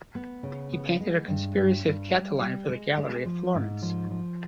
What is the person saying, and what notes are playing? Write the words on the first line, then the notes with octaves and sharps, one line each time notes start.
He painted a "Conspiracy of Catiline" for the Gallery at Florence.
B3
C#3
B3
G#3
G2
G2
G2
G3
G3
G#3
G#3
F3
G#2
F3
F3